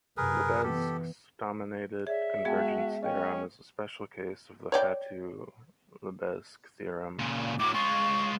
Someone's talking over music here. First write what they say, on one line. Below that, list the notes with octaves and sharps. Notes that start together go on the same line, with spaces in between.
Lebesgue's dominated convergence theorem is a special case of the Fatou-Lebesgue theorem.
F#2 C3 G#4 A#4 B4
E3 B3 G4 A4
G#4 C#5 D5 E5
G#3 B3 F#4 G#4 F5 G5 A5
C#4 D#5 F5 G5
C#5 D5 G5
A#2 C#3
A2 F#3 D6
G#3 F4 C#6